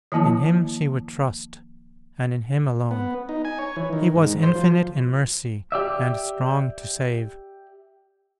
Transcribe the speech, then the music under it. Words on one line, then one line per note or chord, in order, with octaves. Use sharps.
In Him she would trust, and in Him alone. He was infinite in mercy, and strong to save.
D#3 F3 A#3 E4 A5
B3
D#4
G#5
C#5
E3
D#3
G#2
C5
F3
G4 D5 E5